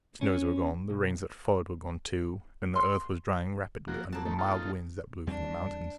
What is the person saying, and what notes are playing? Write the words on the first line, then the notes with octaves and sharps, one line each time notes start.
The snows were gone, the rains that followed were gone, too, and the earth was drying rapidly under the mild winds that blew from the mountains.
C#4
B1
C6
F3 A#3 F#4
F#3 A#3 C5 A5
A2 D#3 A3
D#4 F4 A4
E2 G3 C4 D4